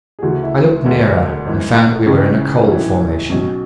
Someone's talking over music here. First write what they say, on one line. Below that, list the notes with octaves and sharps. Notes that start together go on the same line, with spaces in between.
I looked nearer, and found we were in a coal formation.
G#4
D2 C#3 E3 F#4
E4
E1 D2 D3 B3
G#1 G#2 E3
C#2 C#3 E3 C#4
B1 A2 E3
B1 B2 C#4